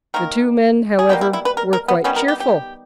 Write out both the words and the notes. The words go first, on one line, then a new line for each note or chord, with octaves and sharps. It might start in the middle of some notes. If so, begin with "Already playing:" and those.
The two men, however, were quite cheerful.
D#3 A#3 A#4
G#4
B2 G3 A#3 G4
E4
E4
B4
A#4
A#4
B3
D#3 G3 B3 C#4
A#4
G4
G4